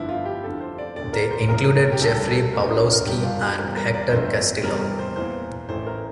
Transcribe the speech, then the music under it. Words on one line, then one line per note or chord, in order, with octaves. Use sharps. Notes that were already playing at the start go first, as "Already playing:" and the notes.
They included Jeffrey Pawlowski and Hector Castillo.
Already playing: G1 G2 D3 F3 E4
F4
G4
F2 D3 F3 A4
C5
D5
E1 D2 D3 D5
A#4
C5
C2 C3 F3 A#4
G4
D2 C3 G3 A4
A#1 A#2 A3 A#4
C5
A#4
G1 G2 D3 G3 G4
F4
G4
E2 C3 G3 C4 A#4
A#4
D5
G1 F2 D3 F3 A3 C5
E2 C3 G3 C4 A#4
A#4
C5
E2 E3 A#3 C5
A1 A2 E3 A3 C5
A#4